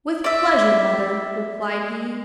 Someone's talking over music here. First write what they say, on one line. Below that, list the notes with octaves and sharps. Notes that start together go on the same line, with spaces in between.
'With pleasure, mother,' replied he.
D5 E5